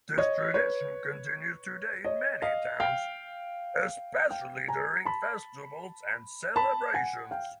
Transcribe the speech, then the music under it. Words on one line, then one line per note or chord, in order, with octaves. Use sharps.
This tradition continues today in many towns, especially during festivals and celebrations.
C#5 D#5
B4 C#5
C#5 D#5
D#5 F5
F5 G5
F5 G5
G#5 A#5
A5 B5
A5 B5
F#5 G#5
F5 G5